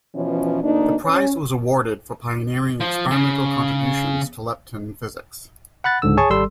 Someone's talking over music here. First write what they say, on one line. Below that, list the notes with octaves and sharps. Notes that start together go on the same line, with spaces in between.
The prize was awarded "for pioneering experimental contributions to lepton physics".
B2 E3 F3 C#4
D2 A#3 D4 D#4
C#4
F3
C#3
F#5 B5 F#6 A6
C#2 G#2 D3 E6
G#4 C#5 G#5 A5 C#6
G#1 G3 A4 C6 E6